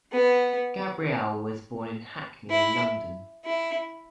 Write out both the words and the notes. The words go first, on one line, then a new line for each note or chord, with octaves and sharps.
Gabrielle was born in Hackney, London.
B3
E4
E4